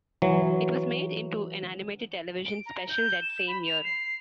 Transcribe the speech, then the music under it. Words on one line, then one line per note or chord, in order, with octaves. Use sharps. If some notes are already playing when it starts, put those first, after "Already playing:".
It was made into an animated television special that same year.
E3 F#3
D7
A#5
G6
E7
B5
F7
C7